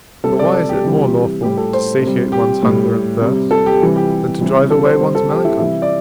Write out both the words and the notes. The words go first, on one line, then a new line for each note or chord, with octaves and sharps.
For why is it more lawful to satiate one's hunger and thirst than to drive away one's melancholy?
C3 G3 A4
D5
A4
G4
C3 E3 G3
A2 G3 G4
A4
C5
C3 G3
G4
A2 G3
C3 G3
A4
G4
C3 E3 G3
G4
C3 E3 G3
A4
C5
C3 G3 C5
A4
G4
E4
C3 E3 G3 E4
D5